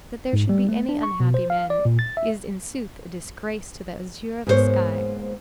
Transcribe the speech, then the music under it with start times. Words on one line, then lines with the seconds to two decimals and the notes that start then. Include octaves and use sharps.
That there should be any unhappy men is, in sooth, a disgrace to the azure of the sky.
0.33 G#2
0.49 G3
0.69 A3
0.89 D4
1.03 C#6
1.20 B2
1.34 C5
1.50 F5
1.70 D5
1.85 A#2
1.99 A6
2.17 E5
4.47 G#2 A#3 B3 E4 C5 C#5